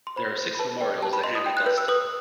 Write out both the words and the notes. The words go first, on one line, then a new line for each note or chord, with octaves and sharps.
There are six memorials to Hannah Duston.
C6
C5 B5
C5
B5
B4 A5
B4 G5
G4 A5
B5
D#5 C6
D#6
G5
F#6
B4 G6
E6
B4 D#6